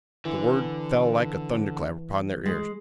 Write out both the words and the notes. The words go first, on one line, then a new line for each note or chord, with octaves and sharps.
The word fell like a thunderclap upon their ears.
D3 E3
G#3